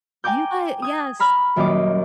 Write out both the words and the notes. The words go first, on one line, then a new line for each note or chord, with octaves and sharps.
You got yes.
G5 G#5 A#5 D6 G6
D#6 G#6
A#5 B5 F6
D#1 F#2 A#3 D#5 D6